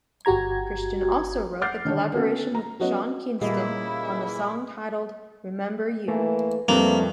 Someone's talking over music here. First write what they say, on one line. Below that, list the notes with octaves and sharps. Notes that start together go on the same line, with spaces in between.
Cristian also wrote the collaboration with Sean Kingston on the song titled "Remember You".
G1 F#4 G4 A#5 G#6
F#5 D6 F6 G6 A6 C7
D3 D#3 D4 C#5
B3 C#4 F#4 A4
A#5
F#3 B3 C#4 F#4 C#5 D#5
A#2 C#3 E3 G3 A#3 E4 G#4 D#5
E3 A3 A#3
F2 G3 A3 A#3 C4 D4 B4